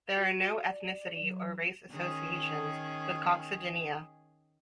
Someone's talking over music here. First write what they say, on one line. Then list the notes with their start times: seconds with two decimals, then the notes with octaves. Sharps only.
There are no ethnicity or race associations with coccydnia.
0.16 F#4
0.63 D5
1.19 F#3
1.90 D#3 C#4 G#4